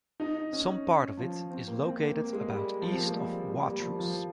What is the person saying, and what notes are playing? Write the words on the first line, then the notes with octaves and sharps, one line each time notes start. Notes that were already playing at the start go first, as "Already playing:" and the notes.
Some part of it is located about east of Watrous.
D#4
C#4
F3
C4
A#3
C4
A#3
A#3
G#3
G3
F3
C4
A#3
G#3
G3
G3
A#3
G3
F3
F3